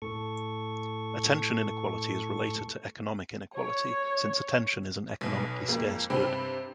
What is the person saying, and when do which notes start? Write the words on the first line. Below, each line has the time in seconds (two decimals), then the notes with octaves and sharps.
Attention inequality is related to economic inequality since attention is an economically scarce good.
0.02 A2 A4 C#6
3.54 C#5
5.21 B1 B2
5.68 F2 G#3 A#3
6.10 G2 C3 C4 D4 B5